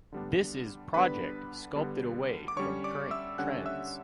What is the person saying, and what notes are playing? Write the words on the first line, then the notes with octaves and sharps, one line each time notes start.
This is project sculpted away from current trends.
D3 G3 B3 D4
D3 G3 B3 D4 B4 B5
D3 G3 B3 D4
D6
D3 G3 C#4 C#5 C#6
D5 D6
E5 E6
D3 G3 C#4 F#5 F#6
E5 E6